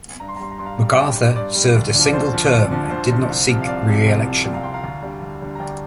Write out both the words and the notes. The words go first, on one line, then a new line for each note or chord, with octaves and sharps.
McArthur served a single term and did not seek re-election.
G2 A#5
C6
A#5
G3 C6
A#5
G2 C6
F5 A#5
G3
G2 D5 G5
D5
G3
D5
G2 D5
G3
D2
D3 F3
D5
D2 C5
D3 F3
D2
D3 F3
D2 C5
D3 F3
C2
C3 F3
F5
C2 D5
C3 F3
C2
C3 F3
C2 D5 G5
F5 A#5
C3 F3 G5 C6
F5 A#5
D2
D3 G3
D2
D3 G3
A#5
D2 D5 G5